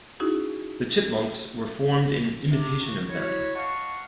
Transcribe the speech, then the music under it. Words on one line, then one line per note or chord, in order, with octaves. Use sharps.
The Chipmunks were formed in imitation of them.
C#4 D#4 E4 F#4 G#4
C3
F#4
E4 F#4 C#5
D#5 F5 F#5 A5 C#6